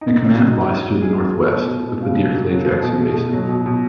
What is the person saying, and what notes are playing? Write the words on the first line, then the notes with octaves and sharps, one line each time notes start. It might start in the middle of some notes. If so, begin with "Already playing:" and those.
McMath lies to the northwest of the Dirichlet-Jackson Basin.
D#4
D#4
F#3
D#4
F#3
F#3
G#4
F#3
A3
B2
B2
B2
C#3
F#3
F#3
F#3
A4
B2
A3
B2
F#3
B2
B2